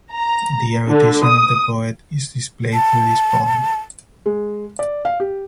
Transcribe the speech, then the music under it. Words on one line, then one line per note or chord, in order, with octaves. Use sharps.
The erudition of the poet is displayed through this poem.
A#5
D3
D#6
A5
G#3
D5
F5
G4